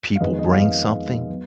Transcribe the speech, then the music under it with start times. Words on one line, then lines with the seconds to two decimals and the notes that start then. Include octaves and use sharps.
people bring something
0.16 F5
0.20 F2 D#3 G#3 B3 B4 D#5
0.39 B4 D#5
0.51 F5
0.57 B4 D#5
1.30 F#3 B3